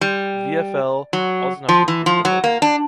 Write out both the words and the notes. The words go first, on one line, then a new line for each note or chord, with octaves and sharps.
VfL Osnabrück was demoted.
G3
F#3
F3
E3
F3
F#3
A#3
D4